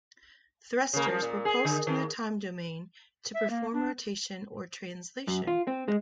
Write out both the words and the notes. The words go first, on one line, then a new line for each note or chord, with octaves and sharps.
Thrusters were pulsed in the time domain to perform rotation or translation.
C#3 A#3
F3
A#2
G#4
D3
D#3
E5
A#3
D4
F#2
F4
C4
G#3